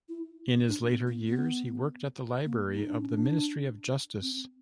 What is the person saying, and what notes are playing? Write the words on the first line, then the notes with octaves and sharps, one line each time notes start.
In his later years, he worked at the library of the Ministry of Justice.
E4
D4
A#3
B3
A#3
B3
A#3
D#4
D4
C#4
D4
C4